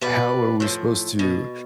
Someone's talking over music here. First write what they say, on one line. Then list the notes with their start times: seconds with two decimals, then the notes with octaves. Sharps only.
how are we supposed to
0.01 B2 B4 D5
0.60 A2 F3
1.19 B2